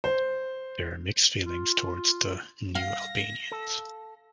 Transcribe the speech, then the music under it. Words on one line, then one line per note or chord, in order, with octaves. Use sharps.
There are mixed feelings towards the "new Albanians".
C5
F4
F5 A#6
A4